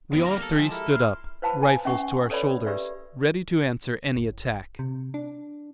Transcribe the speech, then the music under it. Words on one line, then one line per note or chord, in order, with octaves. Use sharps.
We all three stood up, rifles to our shoulders, ready to answer any attack.
F#2 D#3 F#3 B3
G3 A#3 A#4 F6 A#6
A4
F3 G#3 G4
E4 A#4
C6 F6
B4 C5 F5 A5 B5
G#5
C#4 E5 F#5 C#6
A4 B4 C#5 D5 E5 B5
G4 A#4 B4 D5 E5
F#1
C3
D4